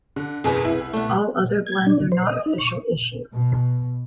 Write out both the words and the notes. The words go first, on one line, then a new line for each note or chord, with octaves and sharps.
All other blends are not official issue.
D3
F#1 E2 B2 G#4 B4
C2 E4
A3 B3
G#6
D4
D3
C5
D#5
D#4
C#6
B2